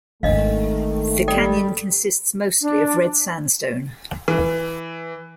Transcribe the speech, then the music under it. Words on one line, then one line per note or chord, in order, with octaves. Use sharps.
The canyon consists mostly of red sandstone.
G#1 D#3 A3 D4 D#5 F5
G3 A4 D5 G5
D4
E3